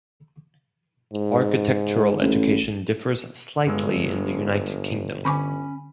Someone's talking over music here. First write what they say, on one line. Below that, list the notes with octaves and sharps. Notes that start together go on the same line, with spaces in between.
Architectural education differs slightly in the United Kingdom.
G#2
A1
G1 G2 G#3 E6
D3 C#4 G#5 B5 C#6 D6